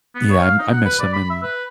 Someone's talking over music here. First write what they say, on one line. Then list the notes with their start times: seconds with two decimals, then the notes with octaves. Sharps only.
Yeah, I I miss him and
0.15 B3
0.31 C#5
0.43 F5
0.59 D#4
0.73 F#5
0.85 B4
1.00 D5
1.13 B5
1.30 E5
1.43 B4